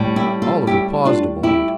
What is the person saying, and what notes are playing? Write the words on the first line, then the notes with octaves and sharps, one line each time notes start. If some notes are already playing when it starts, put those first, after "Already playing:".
Oliver paused a moment.
Already playing: A2 G3
E4 G4
F4 A4
E4 G4
D4 F4
E4 G4